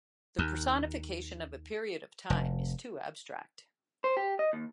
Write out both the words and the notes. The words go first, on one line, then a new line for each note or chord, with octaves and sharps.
The personification of a period of time is too abstract.
D#2
F1
C5
G4
D#5
D#2